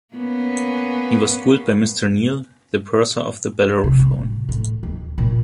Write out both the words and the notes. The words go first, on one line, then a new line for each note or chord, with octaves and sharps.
He was schooled by Mr Neale, the purser of the "Bellerophon".
A#3 B3 C#4
C3
G3
A2
A2
D#2
A#2